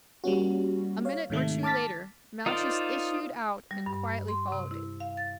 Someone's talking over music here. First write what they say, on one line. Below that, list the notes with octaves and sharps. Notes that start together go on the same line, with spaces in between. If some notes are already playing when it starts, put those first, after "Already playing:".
A minute or two later Malchus issued out and quietly followed it.
G3 A#3 C#4 F#4
C#5 F5
G#2 C3 D#3 A3
A5 D6 F6 A6 B6
D#4 F4 A#4 C5 D5
G3
G2
C6
C3
E4
F5
A6